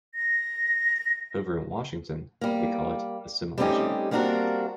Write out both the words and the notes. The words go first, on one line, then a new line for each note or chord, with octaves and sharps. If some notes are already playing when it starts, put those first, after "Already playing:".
Over in Washington, they call it Assimilation.
A#6
G3 A#3
G3 A3 C4 C#4 D#4 G4
G3 A#3 C4 D4 F#4 A#4